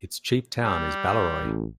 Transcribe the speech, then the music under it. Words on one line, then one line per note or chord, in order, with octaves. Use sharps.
Its chief town is Balleroy.
G3
A1